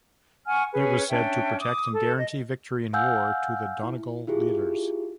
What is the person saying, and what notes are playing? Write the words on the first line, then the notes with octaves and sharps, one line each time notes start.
It was said to protect and guarantee victory in war to the Donegal leaders.
F#5 G#5 C#6 F6
C#4 G#4 B4
C#4 D4 E5 G5
D6 D#6
A4
D#5
F5 F#5 G#5 E6 F6 G6
E4
E4 F4 G4 G#4